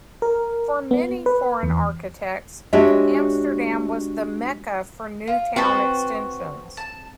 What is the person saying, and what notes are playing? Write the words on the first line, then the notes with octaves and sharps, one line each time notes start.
For many foreign architects, Amsterdam was the "Mecca" for new town extensions.
A#4
B3
B4
E2
G#3 D4 F#4 G4 C#5 E5
F4
C4 F#4 B4 C5 A5
A5